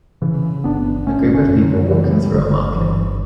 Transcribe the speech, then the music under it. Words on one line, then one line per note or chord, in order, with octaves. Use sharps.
A group of people walking through a market.
C#3 E3
G1 B3 D4
G1 A3 C#4
A3 C#4
F#2
D3 F#3
C#3 E3
B3
A3
G3
G1 D3 F#3
G1 E3